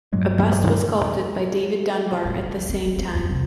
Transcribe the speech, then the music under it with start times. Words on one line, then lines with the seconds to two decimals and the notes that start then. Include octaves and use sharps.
A bust was sculpted by David Dunbar at the same time.
0.13 G2 A#2 F#3 G#3
2.25 A2
2.42 C#2
2.69 C4
2.82 G#3
2.97 C4
3.15 E2
3.29 C2